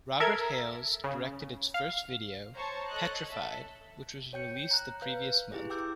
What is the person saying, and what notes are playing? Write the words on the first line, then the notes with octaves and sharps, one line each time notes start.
Robert Hales directed its first video "Petrified", which was released the previous month.
A4 A#4 E5 G#6
C#3
F5
C5 C#5 A5 A#5 C#6
A4 C#5 D#5 F#6
A4 E5
C#5 G5 G6 C#7
A#5 F#6
B4 F5 G6
E4 G4 G#4
G5 D6 E6 G6